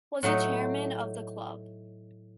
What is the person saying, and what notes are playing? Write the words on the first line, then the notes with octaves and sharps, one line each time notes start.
Was a chairman of the club.
A2 F#3 A3 D#4